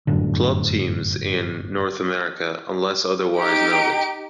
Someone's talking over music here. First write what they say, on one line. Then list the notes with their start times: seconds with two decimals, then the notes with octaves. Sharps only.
Club teams in North America unless otherwise noted.
0.07 G1 F#2 A2 D3
3.38 D#4 G4 D7